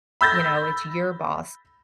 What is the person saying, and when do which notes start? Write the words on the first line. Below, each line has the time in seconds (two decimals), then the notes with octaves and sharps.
you know, it's your boss
0.21 B5 E6 G6 A6 A#6